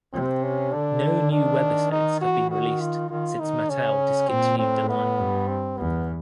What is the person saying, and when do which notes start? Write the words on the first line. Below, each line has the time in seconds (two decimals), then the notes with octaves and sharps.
No new webisodes have been released since Mattel discontinued the line.
0.13 C3 C4
0.43 C#4
0.73 D3 D4
1.32 D#3 D4
1.92 D#4
2.21 E3 F#4
2.51 D#3 F#4
2.81 F4
3.10 D#3 F4
3.40 D#3 D#4
3.70 C#3 C#4
4.29 A#2 C4
4.59 A2 C4
4.89 B3
5.19 G2
5.48 C4
5.77 E2 B3